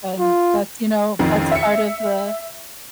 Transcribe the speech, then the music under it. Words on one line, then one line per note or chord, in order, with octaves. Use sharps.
and that's you know, that's part of the
F4
A1 F2 D#3
E5 C#7